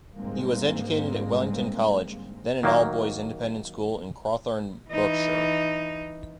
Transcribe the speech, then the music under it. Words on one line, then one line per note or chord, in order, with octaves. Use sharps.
He was educated at Wellington College, then an all-boys independent school in Crowthorne, Berkshire.
G#2 D3 G3 G#3 A#3 C4
D#3 F#3 A#3
E3 D#4